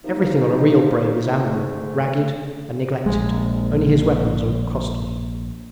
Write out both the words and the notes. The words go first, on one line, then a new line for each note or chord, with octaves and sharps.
Everything on a real brave is ample, ragged, and neglected, only his weapons are costly.
F#2 C3 F3 A#3 D#4
G#2 D3 A3
A#1 G#3